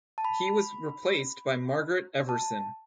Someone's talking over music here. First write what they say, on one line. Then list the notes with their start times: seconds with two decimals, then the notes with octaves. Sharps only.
He was replaced by Margaret Everson.
0.18 A5
0.25 B5
2.29 A5